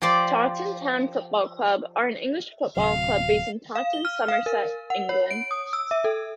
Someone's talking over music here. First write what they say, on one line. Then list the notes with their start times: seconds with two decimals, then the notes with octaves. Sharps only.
Taunton Town Football Club are an English football club based in Taunton, Somerset, England.
0.02 F3 G4 C5 D5
2.77 D1 C3 F#3 F5
3.75 F5
3.93 G7
4.05 F6
4.28 F5
4.46 A#4
4.90 F#5
5.09 C#5
5.31 D7
5.51 D#6
5.73 E6
5.91 E5
6.04 A4